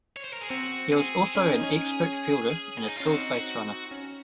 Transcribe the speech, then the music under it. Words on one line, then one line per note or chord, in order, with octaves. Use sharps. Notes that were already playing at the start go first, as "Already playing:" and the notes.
He was also an expert fielder and a skilled baserunner.
C#5
C5
A#4
G#4
C4 F#4
G#4
C#4 G#4
D#4
C#4
D#4
C#4 F4
C4 D#4 F#4
C#4